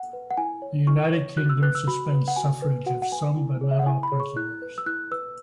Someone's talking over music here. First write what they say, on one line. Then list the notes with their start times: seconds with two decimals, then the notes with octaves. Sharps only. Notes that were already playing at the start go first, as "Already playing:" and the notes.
The United Kingdom suspends suffrage of some but not all prisoners.
Already playing: F#5
0.13 B4
0.31 F#5
0.37 E4 G#5
0.62 C#5
0.87 E4 C#6
1.13 C#5
1.37 F#4 F#6
1.49 E6
1.62 B4 F#6
1.75 E6
1.87 F#4 B5
2.12 B4
2.28 F#5
2.36 F#4 G#5
2.62 B4
2.86 F#4 F#5
3.02 F#5
3.12 B4 G#5
3.37 E4
3.61 G#4 C#5
3.71 E5
3.79 F#5
3.86 E4 G#5
4.03 B5
4.12 G#4 C#5
4.20 C#6
4.36 E4 F#6
4.62 B4
4.78 E6
4.86 E4 F#6
5.11 B4 E6